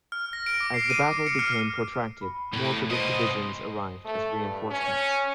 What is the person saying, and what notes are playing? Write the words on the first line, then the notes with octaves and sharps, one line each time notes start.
As the battle became protracted, more British divisions arrived as reinforcements.
F6
A#6
D7
D6
C7
D#7
D6
C#7
F6
B5
E2 A2 B4
C2 B2 C5 D#5
A3
G2
C#4